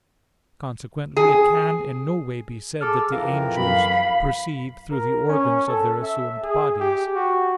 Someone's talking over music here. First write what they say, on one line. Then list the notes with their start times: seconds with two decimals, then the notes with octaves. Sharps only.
Consequently it can in no way be said that the angels perceive through the organs of their assumed bodies.
1.17 G#4
2.81 G#4 A4 D6 F6
3.12 F2 E3 A#4 F5
3.57 F#2 F5 B5
4.91 A#4
5.28 C#4
5.68 A4
6.03 E5
6.43 G#4
6.80 G4
7.15 F#4